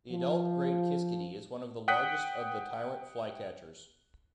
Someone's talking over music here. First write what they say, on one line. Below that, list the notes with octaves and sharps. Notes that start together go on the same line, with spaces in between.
The adult great kiskadee is one of the largest of the tyrant flycatchers.
F3
F#5 G5 D#6 F#6 B6